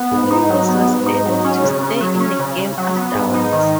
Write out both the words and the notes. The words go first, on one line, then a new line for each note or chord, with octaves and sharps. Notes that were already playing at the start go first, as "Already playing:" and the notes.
Lewis was able to stay in the game afterwards.
Already playing: B3
G#2
D#4
F#3
B3
G#2
D#4
F#3
C#4
C#3
C#3
F#3
C#4
C#3
C#3
F#3
B3
G#2
D#4
D#3